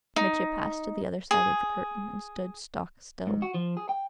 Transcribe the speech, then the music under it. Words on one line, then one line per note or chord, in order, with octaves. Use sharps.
Mitya passed to the other side of the curtain and stood stock still.
D#4
G#4
G#2
F#4
F3
G#4
G5